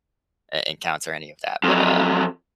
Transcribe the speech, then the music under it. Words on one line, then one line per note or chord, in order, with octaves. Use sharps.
en encounter any of that, but, uh,
F2 F#3